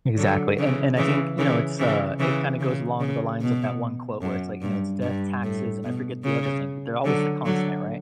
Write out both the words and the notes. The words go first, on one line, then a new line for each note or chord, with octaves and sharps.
Exactly, and and I think, you know, it's, uh, it kinda goes along the lines of that one quote where it's like, you know, it's, "Death, taxes" And I forget the other thing, but they're always the constant, right?
D3 F#3
C#3 E3
C#3 E3
C#3 E3
C#3 E3
C#3 E3
C#3
C#3
B2
F#2
G2
G2
A2
B2
C#3
D3 F#3
D3 F#3